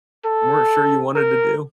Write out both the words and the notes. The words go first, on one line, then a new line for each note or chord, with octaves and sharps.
weren't sure you wanted to do?
A4
A#4